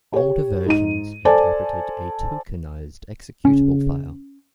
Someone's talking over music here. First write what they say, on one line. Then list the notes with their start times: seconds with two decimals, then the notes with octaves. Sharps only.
Older versions interpreted a tokenized executable file.
0.13 G4 C#5
0.66 G#2 D#4 D#7
1.25 A4 C5 D5 G#5 A5
3.45 C#3 C#4